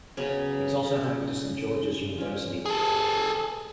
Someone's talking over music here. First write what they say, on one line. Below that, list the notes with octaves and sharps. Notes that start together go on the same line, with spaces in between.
It is also home to Saint George's University.
C#3 F#3 B3 C#4
C#4 F4
G#4 A4